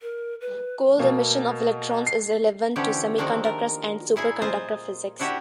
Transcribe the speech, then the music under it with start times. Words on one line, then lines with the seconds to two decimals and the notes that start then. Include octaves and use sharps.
Cold emission of electrons is relevant to semiconductors and superconductor physics.
0.01 A#4
0.41 B4
0.99 B2 A#3
2.07 C7
2.76 D3 E3 F3 C#4 G4
3.18 D#3 F3 A3 A#3 D4
3.45 A#4
4.16 A#2 E4 G#4 G#5
4.42 F4 C5 D#5 G#5
5.19 D4 E4 F#4 G4 E5